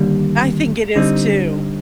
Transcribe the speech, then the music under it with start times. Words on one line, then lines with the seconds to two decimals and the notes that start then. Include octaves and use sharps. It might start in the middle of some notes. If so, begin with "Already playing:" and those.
I think it is too.
Already playing: D#2 D3 G3
0.96 D3 G3 C4 D#4